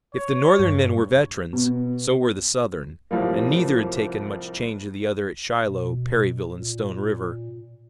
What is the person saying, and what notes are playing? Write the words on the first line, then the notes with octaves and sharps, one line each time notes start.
If the Northern men were veterans, so were the Southern, and neither had taken much change of the other at Shiloh, Perryville and Stone River.
C#5
G2
B2
C2 A2 F3 G3 A#3
B2
A#2